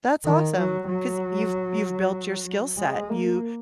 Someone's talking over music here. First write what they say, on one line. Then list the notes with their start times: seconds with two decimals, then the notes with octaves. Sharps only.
That's awesome 'cause you've you've built your skill set. You
0.24 D#3
0.57 F#3
0.87 F#3
2.77 G#3
3.09 A#3